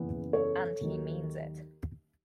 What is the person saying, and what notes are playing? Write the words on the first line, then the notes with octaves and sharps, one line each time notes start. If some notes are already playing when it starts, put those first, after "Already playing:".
And he means it.
Already playing: F#1 E2 C#3 E3 B3
A4 C#5
D#2 D#3 F#3